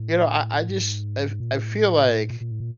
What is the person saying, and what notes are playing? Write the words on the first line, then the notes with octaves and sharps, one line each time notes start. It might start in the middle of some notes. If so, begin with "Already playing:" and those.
you know, I I just, I I feel like
Already playing: A2
G#2
A#2
A2
A#2
A#2
A2
A#2